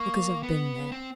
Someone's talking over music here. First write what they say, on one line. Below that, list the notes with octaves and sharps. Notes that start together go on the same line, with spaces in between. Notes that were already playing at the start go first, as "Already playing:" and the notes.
Because I've been there.
Already playing: A#3 C#6
B3
C4